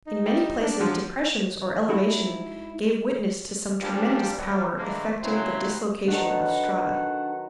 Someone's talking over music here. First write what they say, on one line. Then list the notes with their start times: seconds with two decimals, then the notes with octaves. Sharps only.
In many places depressions or elevations gave witness to some tremendous power effecting the dislocation of strata.
0.07 D#4
0.26 G3
0.63 D4
0.79 D3 F3 F#3
1.89 G#3 D#4 E4 F#4 A4
3.81 A#2 F3 G3 D4 G4
4.36 A1 D#2 F#3 G3
4.75 A2 D3 E3 G#3 A#3
5.22 G2 C#3 F#3 E4 C5
6.08 D#3 F#3 D4 A4 B4 F#5